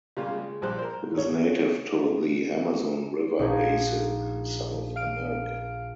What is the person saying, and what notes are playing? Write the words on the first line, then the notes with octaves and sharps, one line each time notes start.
It is native to the Amazon River basin in South America.
C#3 G3 G#3 A#3 F4
G#3
A#1 F3 G3 C5 F#6
A#4 C5
C#5
A#1 A#3 D#4 F4 G#6
F5 F6 D7